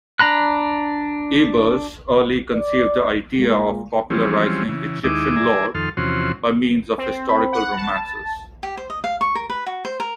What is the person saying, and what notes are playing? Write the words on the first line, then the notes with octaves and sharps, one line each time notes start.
Ebers early conceived the idea of popularizing Egyptian lore by means of historical romances.
D4 A#5 B5 F#6
D5
A#2 G#3
E3 F3 G3 G#3 C4 C#4
C#3 E3
D#2 G#3 D#4 E4 D6
G#4 D5 E5 G#5 A#5
F2 D#3 A4 C6 F6
E2 C3 F3 C#4 F#4 C6
C4
B5
F#5
A5
G4
C5
D#5
F5
C#6
A#4
B4
F#4
C5
A#4